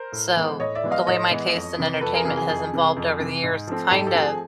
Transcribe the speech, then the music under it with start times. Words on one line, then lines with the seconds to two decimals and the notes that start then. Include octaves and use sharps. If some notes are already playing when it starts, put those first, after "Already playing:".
so the way my taste in entertainment has involved over the years kind of
Already playing: A#4 C5
0.12 A2
0.36 E3 G#3 B3
0.59 A2 C#5 D#5
0.75 D5 E5
0.83 E3 G#3 B3
0.91 D#5 F5
1.07 A2 C#5 D#5
1.30 E3 G#3 B3
1.55 F2
1.78 C3 E3
2.01 F2 A4 B4
2.14 G#4 A#4
2.25 C3 E3 G#4 A#4
2.37 G#4
2.49 F2 G#4
2.73 C3 E3
2.97 F2
3.20 C3 E3
3.43 G#2
3.67 F3 A3 C4
3.91 G#2 G4 A4
4.07 G4 A4
4.15 F3 A3 C4
4.23 G#4